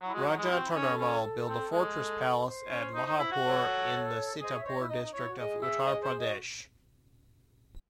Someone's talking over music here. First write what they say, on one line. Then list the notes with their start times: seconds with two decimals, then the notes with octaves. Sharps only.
Raja Todarmal built a fortress-palace at Laharpur in the Sitapur district of Uttar Pradesh.
0.02 F#3 E4
0.14 G#3 F#4
0.27 F#3
0.38 G#3 E4
0.51 C4 F#4
0.63 E4
0.75 C#4 D#4
0.87 A4
1.00 C#4
1.49 C4
1.72 G#3
1.97 A4
2.46 C5
2.70 C#4
2.95 D#4
3.07 D#4
3.19 E4
3.32 F#4
3.44 A4 C#5
4.41 G#4 C5 D#5
4.53 C#5 E5
4.65 C5 C#5 D#5
4.77 E4
4.89 D#4 D#5
5.01 D#4
5.14 E4 C#5
5.27 F#4
5.39 G#4 D#5
5.62 E5
5.86 D#5
6.03 C5
6.20 D#5
6.27 F#4